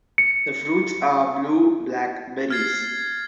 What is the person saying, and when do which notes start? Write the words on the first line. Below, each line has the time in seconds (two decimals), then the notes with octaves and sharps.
The fruits are blue-black berries.
0.18 C#7
2.50 F6 G#6 A6 C7